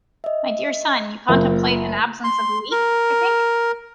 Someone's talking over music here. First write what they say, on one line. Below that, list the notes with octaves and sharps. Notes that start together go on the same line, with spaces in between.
My dear son, you contemplate an absence of a week, I think?
D#5 E5
F#1 A#3 F4
C6
A#4